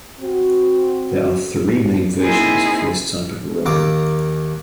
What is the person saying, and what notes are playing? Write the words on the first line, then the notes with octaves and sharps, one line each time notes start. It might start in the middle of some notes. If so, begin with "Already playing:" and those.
There are three main versions for this type of rug.
C4 F#4
A#3 C4 D#4 E4 G#4 C5
D#2 A#3 D6